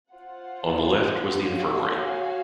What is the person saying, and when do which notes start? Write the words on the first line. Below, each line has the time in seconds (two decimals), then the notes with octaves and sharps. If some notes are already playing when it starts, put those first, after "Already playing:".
On the left was the infirmary.
0.11 F4 C5 F#5
1.47 F#4 C#5 F5 G#5